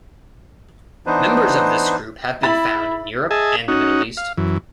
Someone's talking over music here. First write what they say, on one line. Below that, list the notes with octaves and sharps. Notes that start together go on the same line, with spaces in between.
Members of this group have been found in Europe and the Middle East.
E3 B3 D4 D#4 B4 C5
E4 B5 A6
G#4 D#5 E5 G#5 A5
C#4 D#4 F#4
F5
F#2 E3